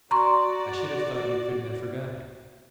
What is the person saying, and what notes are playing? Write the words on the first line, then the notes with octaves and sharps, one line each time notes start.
"I should have thought you couldn't have forgotten it?"
F#4 D5 A#5 C6 C#6